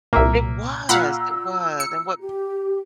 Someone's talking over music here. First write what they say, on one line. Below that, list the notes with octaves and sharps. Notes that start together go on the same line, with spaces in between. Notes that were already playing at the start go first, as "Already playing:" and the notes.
It was! It was, and what
C2 A#2 A#3 E5
A#2 F5 F#5 B5 E6
C#7
G4